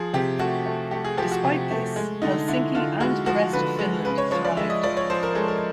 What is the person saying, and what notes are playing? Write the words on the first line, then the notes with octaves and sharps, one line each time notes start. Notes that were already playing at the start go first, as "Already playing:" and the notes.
Despite this, Helsinki and the rest of Finland thrived.
Already playing: F3 G#4
C3 G4
A3 F#4
A3
A3 G4
G#4
F3 G4
F#4
C3
A3
G#3
D3 D#4
D3 E4
D3 F4
G#3 F#4
F3 F#4
D3 B4
G#3
C#3 B4
C#5
F3 C#5
D5
G#3 E5
D#5
F3 D5
C#5
F3 C5
A#4
G#3 A4
A#4